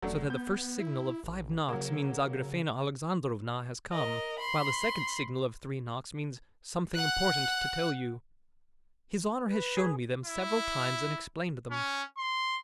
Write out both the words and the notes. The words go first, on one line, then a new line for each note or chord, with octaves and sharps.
So that the first signal of five knocks means Agrafena Alexandrovna has come, while the second signal of three knocks means 'something important to tell you.' His honor has shown me them several times and explained them.
E1 F#3 A3 D4
B3 G6
E4
A1
C#3 F#3 A#3
A#4 D#5
B5 C6
F#5 F#6
B4
G#4
E4
C#4
C6